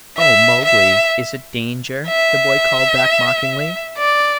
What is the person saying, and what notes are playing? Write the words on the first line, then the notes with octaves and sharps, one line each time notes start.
"Oh, Mowgli, is it danger?" the boy called back mockingly.
E5
E5
E5
D5